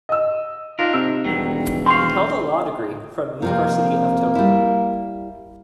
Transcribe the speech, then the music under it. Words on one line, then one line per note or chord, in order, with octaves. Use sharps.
He held a law degree from University of Tokyo.
D#5 E6
A#3 D4 D#4 F4 A#4
C3 D#4 E6
E1 G2 D#3 F#3
C4 F4 F5 C6 C#6
C3 F3 A#3 C4
G3 E4